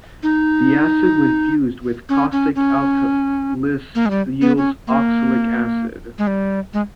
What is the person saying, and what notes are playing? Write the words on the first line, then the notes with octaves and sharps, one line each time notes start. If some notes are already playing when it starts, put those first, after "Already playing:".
The acid when fused with caustic alkalis yields oxalic acid.
D#4
C#4
C#4
C#4
A#3
G#3
G3
B3
C#4
A#3
G#3
G3
G#3